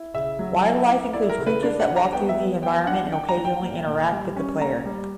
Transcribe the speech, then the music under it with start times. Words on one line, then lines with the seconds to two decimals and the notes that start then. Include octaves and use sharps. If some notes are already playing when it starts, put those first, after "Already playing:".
Wildlife includes creatures that walk through the environment and occasionally interact with the player.
Already playing: E4
0.14 C#3 E5
0.39 F#3
0.64 E4
0.88 E4
1.13 E4 D5
1.29 A#4
1.38 C#3
1.46 B4
1.63 D4 D5
1.80 F#5
1.88 D4
1.96 A#5
2.13 B3 G5
2.29 E5
2.37 B3
2.62 B3 G5
2.87 D4 F#5
3.12 D4 G5
3.29 A#5
3.37 E3
3.45 G5
3.61 A#3
3.86 A#2
4.12 G3
4.36 C#4
4.61 A#3 A#5
4.85 G3